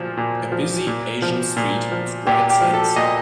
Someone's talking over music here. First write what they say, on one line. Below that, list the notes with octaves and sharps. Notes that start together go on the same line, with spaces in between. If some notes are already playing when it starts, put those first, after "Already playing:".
A busy Asian street with bright signs.
Already playing: A#2 F3
A#2
F3
A#2
F3
A#2
F3
A#2 G4
G4
F3
A4
A#2 D#5